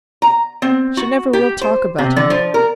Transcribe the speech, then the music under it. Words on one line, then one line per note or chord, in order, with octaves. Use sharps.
She never will talk about him.
A#5
C4
F#4
G4
C5
C3
D3
F3
A#4